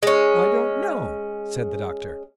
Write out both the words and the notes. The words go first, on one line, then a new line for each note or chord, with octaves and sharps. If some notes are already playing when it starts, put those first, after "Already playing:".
"I don't know," said the doctor.
G#3 C#4